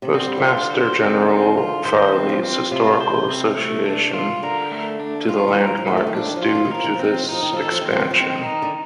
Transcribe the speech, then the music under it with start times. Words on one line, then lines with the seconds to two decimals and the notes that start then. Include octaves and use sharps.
Postmaster General Farley's historical association to the landmark is due to this expansion.
0.02 C3
0.13 D3 C4
0.27 G3
0.37 F3
0.43 D#3 F4
0.57 D3
0.71 C5
0.99 D3 C4
1.29 C4
1.58 F4
1.85 D#3 C5
2.14 C4
2.29 F3
2.43 C4
2.71 C3 F4
3.00 C5
3.29 C4
3.58 A3
3.86 D4
4.14 F4
4.43 D3 A#4
4.71 A3
5.00 D4
5.29 D#3 F4
5.38 F3
5.48 D#3
5.57 F3 A#4
5.67 D#3
5.77 F3
5.86 D#3 A3
5.97 F3
6.07 D#3
6.14 F3 D4
6.26 D#3
6.36 F3
6.42 D#3 F4
6.55 F3
6.65 D#3
6.71 F3 A#4
6.84 D#3
6.94 F3
7.00 D#3 C4
7.14 F3
7.23 D#3
7.29 F3 D#4
7.42 D#3
7.53 F3
7.57 A4
7.62 D#3
7.72 F3
7.81 D#3 C4
7.91 F3
8.00 D#3
8.11 F3 C4
8.20 D#3
8.43 D#4
8.62 D3